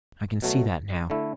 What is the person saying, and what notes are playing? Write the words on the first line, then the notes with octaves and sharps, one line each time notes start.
I can see that now.
B2 F#3 A3
D3 A3 E4